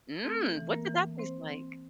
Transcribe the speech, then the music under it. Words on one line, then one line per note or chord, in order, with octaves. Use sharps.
Mm! What did that taste like?
A3 C4 A4
E3
A#3 A#4
E3
C4 C5
C4